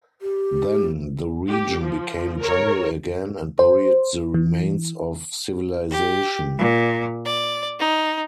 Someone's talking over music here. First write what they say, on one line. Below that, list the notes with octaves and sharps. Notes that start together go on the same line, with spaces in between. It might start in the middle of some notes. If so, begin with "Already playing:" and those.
Then the region became jungle again and buried the remains of civilization.
G4
G4
F3
A#4 C#5
C5
E3
G4
A#2
D5
D#4